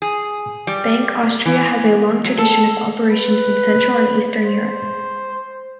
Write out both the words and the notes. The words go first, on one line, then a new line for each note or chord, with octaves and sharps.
Bank Austria has a long tradition of operations in central and eastern Europe.
G#4
G3
E3
F#3
A4
B4
C5